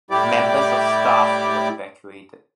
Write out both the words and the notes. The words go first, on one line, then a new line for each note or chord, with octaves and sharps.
Members of staff were evacuated.
A2 G3 E4 G4 D5 D6